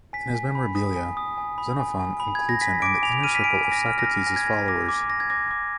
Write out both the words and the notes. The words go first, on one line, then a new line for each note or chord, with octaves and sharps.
In his "Memorabilia", Xenophon includes him in the inner circle of Socrates' followers.
G#5 B6
G#5
B5
D#6
G#5
D#6
G#5
B5
G#5
G#5
B5
G#6
G#5
A#6
G#5 B6
D6 D7
G#5 F7
F6 D#7
B6
G#5 D7
G#5
A#6
F6
A#6
F6
G#5 A#6
G#6
G#5 A#6
D6 A#6
D6
D6 A#6
G#6
D6 A#6
D6